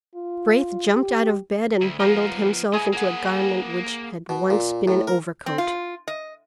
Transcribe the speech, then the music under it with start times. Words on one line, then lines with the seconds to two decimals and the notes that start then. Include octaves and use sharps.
Braith jumped out of bed and bundled himself into a garment which had once been an overcoat.
0.15 F4
0.92 G4
1.81 D2
2.00 F3 B3 F5 A#5
2.73 G#3 E4 G#4
2.93 A#3 F#5
4.29 B2
4.50 A#2
4.88 A2
5.07 A#4
5.46 C4
5.58 F4
6.08 D#5